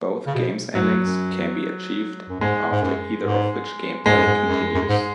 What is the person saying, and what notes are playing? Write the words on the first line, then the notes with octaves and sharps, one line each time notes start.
Both game's endings can be achieved, after either of which gameplay continues.
C#3
B2
G#2 F#3
F#2
F#2
F#2
G#2 G#3
G#2
F#2
G#2
G#2 G#3
F#2
G#2
F#2
F#2
G#2